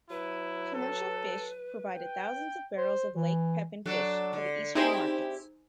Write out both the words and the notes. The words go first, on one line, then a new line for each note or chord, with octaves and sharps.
Commercial fish provided thousands of barrels of Lake Pepin fish for the eastern markets.
F#3 E4 B4
A4
G5
C5
E3
F#3 D4 A4
D3
C4 D#4 E4 G4 G#4 C5